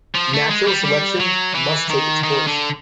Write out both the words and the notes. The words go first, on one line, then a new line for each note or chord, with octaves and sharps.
Natural selection must take its course.
F3
A3
G#3
G3
G3
F#3
E3
D#3
D#3
D3